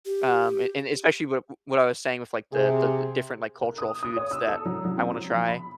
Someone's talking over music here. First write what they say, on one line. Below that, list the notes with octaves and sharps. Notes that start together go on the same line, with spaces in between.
um, and and especially wi w what I was saying with, like, the the li different, like, cultural foods that I wanna try.
G4
C3 G#4
A#4
D#6
D#6
C#5
E6
A4
F#3
F#3
C4
F#3
F3
B5